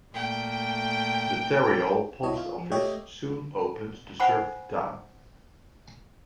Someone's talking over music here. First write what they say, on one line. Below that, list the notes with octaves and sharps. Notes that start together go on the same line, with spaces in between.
The Tarryall Post Office soon opened to serve the town.
A#2 A3 G5
C2 E4 C#5 D#5
F4
F3
A3 G4 C#5 D#5 E5
C5 F#5 G#5 B5